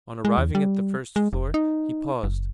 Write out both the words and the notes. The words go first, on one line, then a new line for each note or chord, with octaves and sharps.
On arriving at the first floor, he paused.
G#3
E2
G3
G#3
F1
D#4
F#1